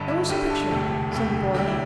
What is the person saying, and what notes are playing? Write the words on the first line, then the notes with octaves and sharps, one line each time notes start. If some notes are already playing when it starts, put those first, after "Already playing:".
'Show us a picture,' said the boy.
Already playing: G1 G2 D3 A4
E4
G1 G2 D3 G4
A4
E1 D2 C3 A4
E1 D2 C3
D2 C3 G3 G4
E4